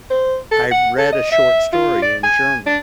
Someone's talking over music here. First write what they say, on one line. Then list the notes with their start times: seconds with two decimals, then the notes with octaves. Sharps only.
I read a short story in German,
0.10 C5
0.51 A4
0.71 F#5
0.98 A4
1.12 D#5
1.32 E5
1.73 F4
2.02 D5
2.23 G#5
2.66 D4